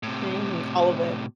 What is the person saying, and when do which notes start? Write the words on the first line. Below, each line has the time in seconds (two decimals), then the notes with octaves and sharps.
mhm, all of it.
0.03 A2 C3